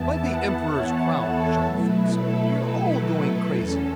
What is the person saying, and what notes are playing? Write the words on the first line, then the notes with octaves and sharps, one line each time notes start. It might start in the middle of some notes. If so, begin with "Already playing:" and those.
"By the Emperor's crown!" shouted Fritz, "we are all going crazy."
Already playing: E2 E3 B3 E4 A5
F#5
C#5
A4
B2 F#3 A3 E4 B4
A4
B4
E2 E3 C#4 A4